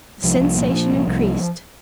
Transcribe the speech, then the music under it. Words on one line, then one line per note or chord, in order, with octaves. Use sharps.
The sensation increased.
C2 F3
C2
A#2
A#2
C2
C2